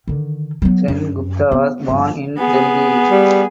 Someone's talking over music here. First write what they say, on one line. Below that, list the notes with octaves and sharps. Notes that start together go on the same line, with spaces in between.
Sen Gupta was born in Delhi.
D3 D#3
F#3 B3
F#2
B3
G1 F3
B3 G#4
G3